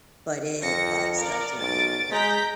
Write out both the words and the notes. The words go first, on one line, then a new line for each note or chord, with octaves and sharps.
but it, like, stuck to me, and quick
F2 A#6 C#7
A#4 D5
B1 A6 D7
G#3 A#5 G6 B6